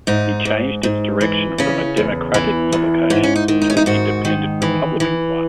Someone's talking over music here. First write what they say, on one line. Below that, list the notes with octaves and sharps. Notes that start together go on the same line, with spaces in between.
He changed its direction from a "democratic" publication to an "independent republican" one.
G#2 D#4
G#2
G#2
E3
C#3 C#4
E2
E3
E2
G#2 C#4
C#4
D#4
D#3
D#4
C#4
D#4
G#2 F#4
D#3
E3
E3